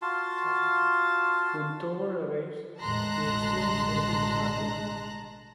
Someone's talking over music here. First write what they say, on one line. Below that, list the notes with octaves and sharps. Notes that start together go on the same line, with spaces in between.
When Tovar arrives, he explains what is happening.
F4 F#4 A5 C6
E2 A2 D#3 G#3 A5 A#5 C6 F#6
A1 B2 D3